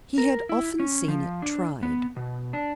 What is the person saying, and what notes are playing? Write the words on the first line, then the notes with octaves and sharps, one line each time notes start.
He had often seen it tried.
A#4
E4
C#4
F3
D4
B3
B2
D4